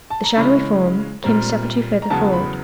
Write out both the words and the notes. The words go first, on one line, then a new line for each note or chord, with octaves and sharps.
The shadowy form came a step or two further forward.
A5
A#5
C#3 E3 G#3 C#4 B5
A#2 G3 C4 A#5
A#5
E2 C#3 F#3 B3 A5
B5